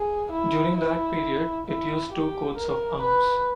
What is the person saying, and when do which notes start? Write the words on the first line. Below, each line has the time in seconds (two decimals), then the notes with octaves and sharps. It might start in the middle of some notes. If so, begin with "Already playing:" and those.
During that period, it used two coats of arms.
Already playing: G#4
0.32 E4
0.77 E4
1.67 E4
2.12 G4
2.57 A#4
3.02 B4